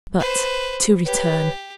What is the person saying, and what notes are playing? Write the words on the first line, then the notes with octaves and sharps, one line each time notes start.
But to return.
B4 C5
G4 B4 C#5